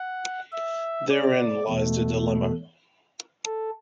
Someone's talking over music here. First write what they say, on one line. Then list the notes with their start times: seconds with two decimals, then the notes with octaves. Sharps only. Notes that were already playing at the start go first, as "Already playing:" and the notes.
Therein lies the dilemma.
Already playing: F#5
0.52 E5
1.10 D5
1.69 E2 B2 A3
3.45 A4